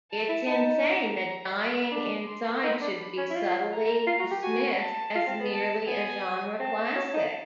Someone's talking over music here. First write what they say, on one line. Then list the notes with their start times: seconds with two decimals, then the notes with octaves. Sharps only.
It's insane that 'Dying Inside' should be subtly dismissed as merely a genre classic.
0.11 A5
0.28 E4
0.46 D#4 A5
0.82 A#5
1.18 A#5
1.55 B5
1.91 D4
2.27 C6
2.62 D#4 B5
2.81 D4
2.99 B5
3.17 C#4
3.30 E4
3.35 F4
3.71 A#5
4.07 F4
4.19 F#4
4.31 G4
4.43 F#4 G#5
4.80 A5
5.15 F4
5.27 C4
5.39 B3
5.52 A5
5.87 B3 G#5
6.59 C4 A5
6.95 C#4
7.13 D#4